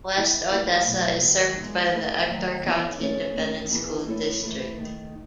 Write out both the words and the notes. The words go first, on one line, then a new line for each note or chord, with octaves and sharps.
West Odessa is served by the Ector County Independent School District.
E3 B3 E4
A3 E4 B4
B2 F#3 A3 E4 A4
D#3 G#3 D#4 F#4
E3 G#3 B3
A3 D#4 G#4 B4
D#3 F#3 A3
E3 B3 D#4 A4 C#5
A3 C#4 G#4 C#5
D#3 A3 C#4
E3 B3 E4 G#4 B4
A3 E4 A4 C#5
E3 A3 E4 B4
D#3 A3 D#4